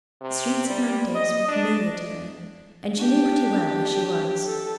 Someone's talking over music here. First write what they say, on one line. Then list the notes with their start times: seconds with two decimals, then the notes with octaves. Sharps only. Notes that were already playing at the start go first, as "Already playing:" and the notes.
The streets of Nantes were familiar to her, and she knew pretty well where she was.
0.21 C3
0.67 G3
1.15 D#5
1.48 D4
2.97 D4 G4
4.46 A4